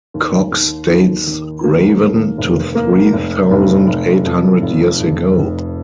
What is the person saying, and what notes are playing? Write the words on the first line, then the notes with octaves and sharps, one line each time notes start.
Cox dates Ravan to "three thousand eight hundred years ago".
D#2
D#2
D#2
D#3
A#3
D#2
F1
A#3
F1
F1
F1
F2
F1
F1
F1